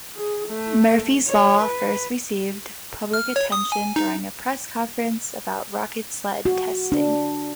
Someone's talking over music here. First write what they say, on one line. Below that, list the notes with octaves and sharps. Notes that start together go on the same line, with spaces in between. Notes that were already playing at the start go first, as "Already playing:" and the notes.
Murphy's law first received public attention during a press conference about rocket sled testing.
G#4
A3
C#5
B4
F6
C#5
D#6
G#5
D#4
F#4
D4